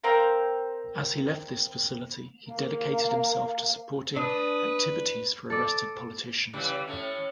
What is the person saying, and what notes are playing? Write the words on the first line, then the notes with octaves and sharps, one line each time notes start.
As he left this facility he dedicated himself to supporting activities for arrested politicians.
C4 A#4 C5 F5
A#3 F5
D4 B4 D#6
A4 D5
C#3 E3 G3
A2 A3 C#4